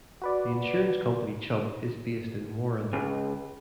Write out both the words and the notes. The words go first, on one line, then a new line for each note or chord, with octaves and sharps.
The insurance company Chubb is based in Warren.
F#4 B4 D5
C#2